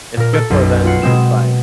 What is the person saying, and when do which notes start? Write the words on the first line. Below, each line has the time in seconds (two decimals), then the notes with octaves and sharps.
it's good for them to just, like
0.17 A#2 A#4
0.33 A4
0.50 B1 F#2
0.85 F4 F#5 C7
1.02 B2 G#3 C4 E7